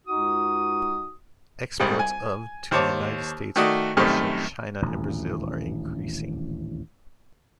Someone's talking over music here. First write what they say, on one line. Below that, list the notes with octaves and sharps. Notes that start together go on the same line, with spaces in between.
Exports of to the United States, Russia, China and Brazil are increasing.
C#2 D#4 F#4 D#6
C2 G#2 G3
G#5
D#2 C5 C#5 A5 D6
D#3 A3 F#4 D5 D#6
F#2 C3 D#3 G3 A3
D#1 A1 D2